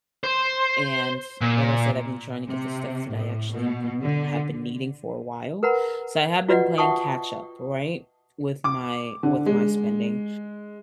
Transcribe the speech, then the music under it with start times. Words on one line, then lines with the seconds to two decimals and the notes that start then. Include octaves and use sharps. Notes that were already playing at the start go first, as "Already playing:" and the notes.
and like I said, I've been trying to get the stuff that I actually need, have been needing for a while, so I have been playing catch-up, right, with my with my spending,
0.24 C5
1.41 A#2
2.49 C3
3.13 A2
3.55 B2
4.04 D3
5.63 A#4 B4 F#5 A#5 B5
6.49 F4 F#4 B4 D5 D#5 F#5
6.78 E5 F#5 G5 A5 C#6 D#6
8.64 D6
9.23 D3
9.46 G#3